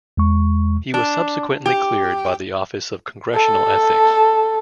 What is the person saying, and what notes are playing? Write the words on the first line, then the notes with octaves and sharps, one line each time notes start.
He was subsequently cleared by the Office of Congressional Ethics.
E2 G#3 C#6
D4
G4
A4